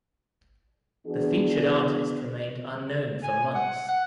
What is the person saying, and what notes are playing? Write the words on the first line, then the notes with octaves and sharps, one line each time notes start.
The featured artist remained unknown for months.
E3 B3 D4 F#4 G#4
G#5
F#5
F#5